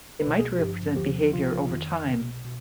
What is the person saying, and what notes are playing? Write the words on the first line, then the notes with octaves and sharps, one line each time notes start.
They might represent behavior over time.
C2 B4
B2
G#4
G1 G2 F3 G4
D#2 D3 F3 G4
C2 C3 F3 F4
F2 D#3
B1 B2
B2